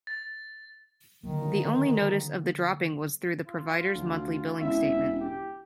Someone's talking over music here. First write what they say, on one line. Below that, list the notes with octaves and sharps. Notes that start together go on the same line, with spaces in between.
The only notice of the dropping was through the provider's monthly billing statement.
A6
D3 D#3 F#3 A#3
F4
D2
E1 C#4 E4 E5
G4